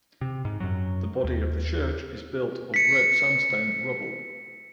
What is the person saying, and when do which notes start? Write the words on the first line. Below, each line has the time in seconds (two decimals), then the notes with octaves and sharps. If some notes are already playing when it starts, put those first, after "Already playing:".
The body of the church is built of Red sandstone rubble.
0.21 C3
0.45 G#2
0.60 F#2 F#3
1.24 D#2
2.74 B6 C#7